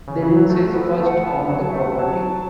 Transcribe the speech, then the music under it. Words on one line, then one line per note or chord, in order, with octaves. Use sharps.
The Lindsays first owned the property.
C#3
E3
F#3
A3
F#4
A3 A4
B3
B4
A3 A5
F#5
B3 A5
F#5
F#3
A5
A3 E5
F#5
F#3 A5